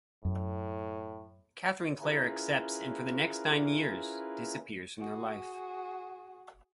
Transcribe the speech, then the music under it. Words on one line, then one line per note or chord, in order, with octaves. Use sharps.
Catherine Claire accepts, and for the next nine years disappears from their life.
F#2 A2
C#4 E4 F4 G#4 A#4 B4
F#4 G#4